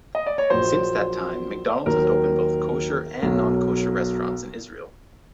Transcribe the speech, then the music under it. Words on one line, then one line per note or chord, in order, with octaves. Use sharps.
Since that time, McDonald's has opened both kosher and non-kosher restaurants in Israel.
D#5
D5
C#5
A#1 A#2 F#3 C5
D#2 D#3 F#3 A#4
B1 B2 F#3